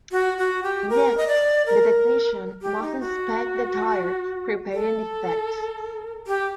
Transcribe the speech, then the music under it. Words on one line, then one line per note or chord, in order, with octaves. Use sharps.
Next, the technician must inspect the tire, repairing defects.
F#4
F#4
G4
A#4
D#5
D5
A#4
G4
D#4
F#4
A4
G4